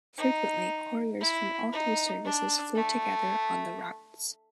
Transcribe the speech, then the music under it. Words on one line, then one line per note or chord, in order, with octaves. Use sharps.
Frequently, couriers from all three services flew together on the routes.
D#4
E4
D#4
D4
A3